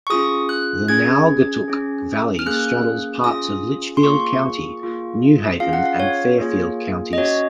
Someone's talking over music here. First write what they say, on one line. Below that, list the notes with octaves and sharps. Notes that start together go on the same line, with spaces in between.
The Naugatuck Valley straddles parts of Litchfield County, New Haven, and Fairfield counties.
C#6
C#4 F4 G#4 D#6
F#6
C#4 G#4 G#6
C#4 G#4
F6
A#3 C#4 G#4 F#6
C#4 F4 G#4 D#6
C6
A#3 F4 G#4 C#6
A#3 F4 G#4
C#4 F4 G#4 F5
F#5
F5
C#5
A#3 F4 G#4
D#5
C#4 F#4 C#5